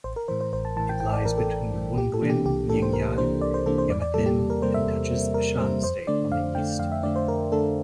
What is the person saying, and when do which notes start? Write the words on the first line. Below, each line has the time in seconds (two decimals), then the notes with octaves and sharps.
It lies between Wundwin, Myingyan, Yamethin, and touches Shan State on the east.
0.04 A1 C5
0.16 A#4
0.28 A2 E3 C5
0.41 C5
0.53 A1 C5
0.65 A5
0.76 A2 E3 A5
0.89 G5
1.00 A1 G5
1.13 D5
1.25 A2 E3 A#4
1.38 A4
1.50 A1
1.74 A2 E3
1.97 C2 G4
2.14 A4
2.21 C3 E3 A#3 D4
2.30 G4
2.45 C2 G4
2.69 C3 E3 A#3 D4 A4
2.82 C5
2.93 C2 A#4
3.18 C3 E3 A#3 D4 C5
3.41 C2 D5
3.54 C5
3.66 C3 E3 A#3 D4 A4
3.78 C5
3.90 E2 D5
4.02 D5
4.14 C3 G3 A#3 A4
4.26 G4
4.38 E2
4.50 A#4
4.62 C3 G3 A#3 C5
4.74 E5
4.86 E2
5.11 C3 G3 A#3
5.34 E2 A#4
5.58 C3 G3 A#3 C5
5.83 F2 C5
6.07 D3 A3 D4 D5
6.32 F2 F5
6.55 D3 A3 D4 G5
6.79 F2 F5
6.92 E5
7.03 D3 A3 D4 D5
7.16 C5
7.28 F2 A#4
7.52 D3 A3 D4 A4